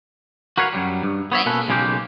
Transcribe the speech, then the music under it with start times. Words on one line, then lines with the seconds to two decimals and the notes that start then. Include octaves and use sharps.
Thank you.
0.58 F#4 A#4 B4 C#5 F5
0.73 F#2 F#3 G3
1.03 G2
1.32 B3 C#5 E5
1.46 B2 A#3 C#4 A4 B4
1.68 B1 C#3 G#3 A#3 G4